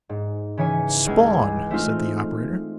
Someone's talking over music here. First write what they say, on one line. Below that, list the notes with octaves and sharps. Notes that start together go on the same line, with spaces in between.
"Spawn," said the operator.
G#2
C#3 E3 C#5 G#5 C#7
C#2 G#3 G#6
A3 C4 D#4 F4